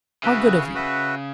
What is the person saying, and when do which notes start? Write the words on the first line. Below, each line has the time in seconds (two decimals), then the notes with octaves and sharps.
How good of you!
0.23 C#3 F#4 B4 E5
0.74 F#4 B4 E5